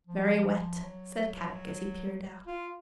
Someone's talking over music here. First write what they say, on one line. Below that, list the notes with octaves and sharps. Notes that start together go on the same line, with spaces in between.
"Very wet," said Kadok as he peered out.
F3
F#3
F4